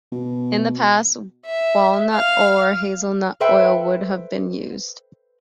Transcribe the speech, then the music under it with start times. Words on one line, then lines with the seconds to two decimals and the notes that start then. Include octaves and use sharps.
In the past walnut or hazelnut oil would have been used.
0.12 B2
1.46 E5
2.13 F5 F6
3.40 A4 B4 C5 E5 G5